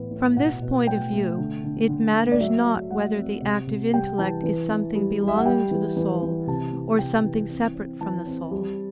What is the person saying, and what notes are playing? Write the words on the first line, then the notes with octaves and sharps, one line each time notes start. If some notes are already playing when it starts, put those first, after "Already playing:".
From this point of view it matters not whether the active intellect is something belonging to the soul, or something separate from the soul.
Already playing: A2 E3 B3
A2
B2 F#5
B2
A3 G5
A3
D3
D3
D3
A3
D5
F#3 E5
F#3
A3 F#5
C4
C3
C3
G3 G5
E3 A5
E3
E3
G3
G3
E5
F#5
G3 G5
E3
E3
E3
C3 A5
E3
C3 G5
E3
C4
C4
E3 A5
C4
G3